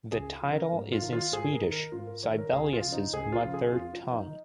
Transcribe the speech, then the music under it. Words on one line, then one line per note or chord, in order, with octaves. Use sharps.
The title is in Swedish, Sibelius's mother tongue.
C#2 G#4
G#4
C#3 F3
A#4
G#2 A#4
F4
D#3
F4
G#2 G#4
A#4
D#3
A#4
G#2 F4
A#4
D#3 C#5
A#4
C#2 G#4
F4
C#3 F3
D#4
C#2 G#4
F4
C#3 F3
G#4
F2 F4
F4
F3
D#4